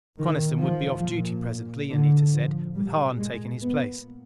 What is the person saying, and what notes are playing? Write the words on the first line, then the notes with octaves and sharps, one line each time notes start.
Coniston would be off duty presently, Anita said, with Hahn taking his place.
A#2 D#3
F3
A#2
A2 D3
F3
A#2 G3
G#3
A#2 B3